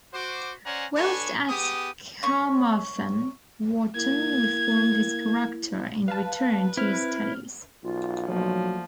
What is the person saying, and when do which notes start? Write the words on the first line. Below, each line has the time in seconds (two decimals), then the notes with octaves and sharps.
Whilst at Carmarthen, Wotton reformed his character and returned to his studies.
0.13 F#4 C5 D6
0.65 C#4 C5 D5 F#5 G#5 A#5
0.96 D4 A4 B4 C#5 G#5 C#6
1.49 B3 G4 G#4 D#6
2.23 C#4 C#6
3.95 A#3 E4 G#6
6.08 B4 F5 A5
6.77 C4 E4 F6
7.84 B1 F4
8.28 D3 F3 F#3 A3 A#3